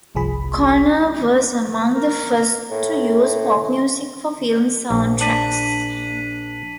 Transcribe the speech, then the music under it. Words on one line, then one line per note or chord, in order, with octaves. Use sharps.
Conner was among the first to use pop music for film sound tracks.
G1 C2 F3 G#4 B5
A#4
A2
A#1
D4 B6 D#7 F#7